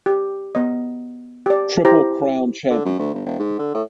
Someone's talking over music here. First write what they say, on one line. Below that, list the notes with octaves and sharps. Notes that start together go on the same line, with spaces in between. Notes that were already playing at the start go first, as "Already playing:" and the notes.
Triple Crown Champion.
G4
B3 D#5
G4 D5
E4 G4 C5 A#5
D3
F#2
D2
G1
E1
G#2
D3
A2